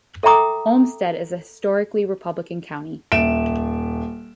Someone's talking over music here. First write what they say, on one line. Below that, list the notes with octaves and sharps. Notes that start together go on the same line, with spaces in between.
Olmsted is a historically Republican county.
A4 E5 G5 A#5 D6 D#6
D#1 E5 D7 E7